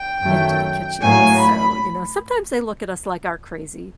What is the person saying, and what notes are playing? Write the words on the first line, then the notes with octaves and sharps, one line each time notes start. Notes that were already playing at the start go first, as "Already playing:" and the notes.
into the kitchen, so, you know, sometimes they look at us like our crazy.
Already playing: G5
F#2 D#3 F#3 A3
A2 F#3 A#3 G#5
B5